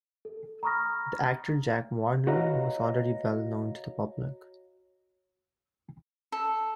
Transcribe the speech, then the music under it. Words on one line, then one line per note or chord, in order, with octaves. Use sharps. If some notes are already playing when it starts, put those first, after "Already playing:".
The actor Jack Warner was already well known to the public.
A4
A#5 B5 C#6 D#6 F6 A#6
F#4 B4 C#5 D#5 F5 A#5
A4